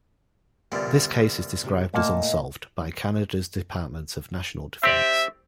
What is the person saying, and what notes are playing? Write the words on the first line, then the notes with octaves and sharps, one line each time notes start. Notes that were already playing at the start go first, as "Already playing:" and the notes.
This case is described as "unsolved" by Canada's Department of National Defence.
C2 A#2 D3 B3
C3 G4
A#2 A3 A#3 D#5 F#5 A5
C4 G4 D5 E5